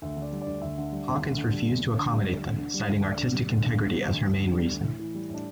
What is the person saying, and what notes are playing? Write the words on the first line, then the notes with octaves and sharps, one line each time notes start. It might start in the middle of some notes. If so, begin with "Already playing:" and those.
Hawkins refused to accommodate them, citing artistic integrity as her main reason.
D2 E5
D3
D5
G3
D5
D2
D2 E5
D3
G3
D2
D2
D3
G3
D2
D2
D3
G3
D2
D2
D3
G3
D2
D2 D5
D3
G3
D2
D2
D3
G3
D2
D2
D3
G3
D2
A2
E3
G3
A2 D4